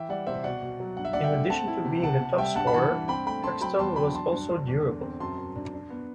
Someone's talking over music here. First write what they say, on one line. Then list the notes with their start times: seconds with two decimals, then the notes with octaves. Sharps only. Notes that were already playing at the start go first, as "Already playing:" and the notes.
In addition to being a top scorer, Hextall was also durable.
Already playing: E3 E5 G5
0.09 G3 D5 F#5
0.27 C3 C5 E5
0.44 B2 D5 F#5
0.62 B2
0.80 F#3
0.97 G2 F#5
1.05 E5
1.13 G2 D5 F#5
1.23 E5 G5
1.32 A3
1.50 C4 F#5 A5
1.68 E4
1.85 C3
2.03 C3 F#5 A5
2.21 C3
2.38 G3 E5 G5
2.55 G2 F#5 A5
2.67 B5
2.73 E3 F#5 A5
2.91 G2
3.08 C4 G5 B5
3.26 A3 G5 B5
3.44 C4 A5 C6
3.61 F#3 G5 B5
3.79 E2 A5 C6
3.96 F#3 G5 B5
4.14 D4 A5 C6
4.32 G2
4.49 G2
4.68 E2
4.85 D3
5.02 C4
5.20 F#2 A5 C6
5.38 F#2
5.56 D4
5.73 D4
5.90 B3